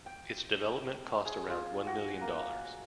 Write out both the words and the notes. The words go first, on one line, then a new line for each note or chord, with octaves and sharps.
Its development cost around one million dollars.
G5
G#4
F4
F#4
A#3